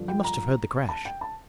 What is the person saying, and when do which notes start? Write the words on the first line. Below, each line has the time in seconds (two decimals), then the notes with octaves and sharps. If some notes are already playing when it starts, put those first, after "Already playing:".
You must have heard the crash?'
Already playing: G2 D3 F3
0.08 G5
0.24 A#5
0.89 A5
1.05 G5
1.21 A5